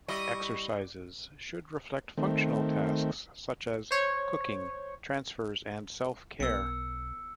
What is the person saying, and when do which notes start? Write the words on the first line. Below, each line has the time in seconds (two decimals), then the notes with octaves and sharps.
Exercises should reflect functional tasks such as cooking, transfers and self-care.
0.08 G3 E4 D#5 C#6
2.18 D#3 A3 C4
3.91 C5 C#5
6.40 B1 B3 A#4 E6 C#7